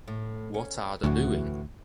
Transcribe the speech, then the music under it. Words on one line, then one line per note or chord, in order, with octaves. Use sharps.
What are the doing?
A2
C#4
D2 A2 E3 F#4